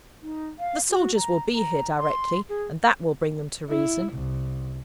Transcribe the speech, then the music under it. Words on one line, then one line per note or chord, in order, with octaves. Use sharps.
'The soldiers will be here directly, and that will bring them to reason.'
D#4
F5
F#4
A#5
A#5
C6
G#4
E4
C2